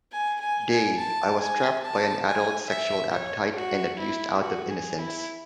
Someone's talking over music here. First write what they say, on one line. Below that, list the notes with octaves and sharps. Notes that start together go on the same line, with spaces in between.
Day, I was trapped by an adult's sexual appetite and abused out of innocence.
G#5
G#5
G#5
A5
G#5
A5
G#5
E5
C#5
F#4
E4
F#4
G#4
E4